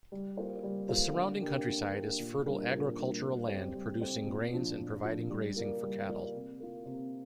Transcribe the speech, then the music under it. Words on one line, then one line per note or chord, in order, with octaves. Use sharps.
The surrounding countryside is fertile agricultural land producing grains and providing grazing for cattle.
G3
A#3 F4 C5
G3
A#3 F4 C5
D3
A#3 D4 G4
D3
A#3 D4 G4
A#2
G3 D4 A#4
A#2
G3 D4 A#4
G3
C4 G4 C5
G3
C4 G4 C5
A#2
F3 D4
A#2
F3 D4
G3
A#3 F4 A#4 D5
G3
A#3 F4 A#4 D5
C3
A#3 F4
C3